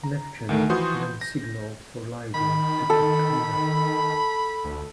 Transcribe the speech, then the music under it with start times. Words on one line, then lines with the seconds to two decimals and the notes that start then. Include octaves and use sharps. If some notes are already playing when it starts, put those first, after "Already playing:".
"Neptune" then signalled for "Lively" to keep clear.
0.04 A#5
0.49 D2 D#3 A3
0.70 E3 F3 F#4 C6 D#6 G6
1.21 A#6
2.34 D#3 B5
2.90 D#3 A4
4.65 D2